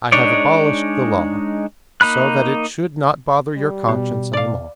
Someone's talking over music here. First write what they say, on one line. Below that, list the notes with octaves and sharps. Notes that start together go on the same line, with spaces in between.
I have abolished the Law, so that it should not bother your conscience any more.
G#3 D4 D#4 C#5 D5
A#3 D#4 B5 F#6
G3
B2
D5 F5